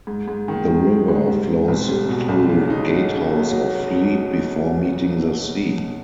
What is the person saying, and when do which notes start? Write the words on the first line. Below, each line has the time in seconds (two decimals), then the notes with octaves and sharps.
The river flows through Gatehouse of Fleet before meeting the sea.
0.07 G#2
0.28 G#2
0.48 D#3
0.67 G#3
0.88 G#3
1.09 G#2
1.28 G3
1.49 C4
1.68 B1
1.89 G3
2.09 B2
2.28 B1
2.49 C#3
2.70 D#4
2.89 F#3
3.10 C#3
3.30 F#3
3.50 F#3